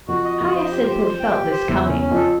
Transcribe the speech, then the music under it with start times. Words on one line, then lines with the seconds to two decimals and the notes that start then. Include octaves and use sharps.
Hyacinth had felt this coming.
0.08 F2 F#4
0.25 D#5
0.40 F2 D#5
0.56 C5
0.72 G4
0.88 C5
1.04 C5
1.20 G5
1.36 G4
1.52 C5
1.69 E2 E4
1.85 E2 C#4
2.01 C#4
2.11 F2 A4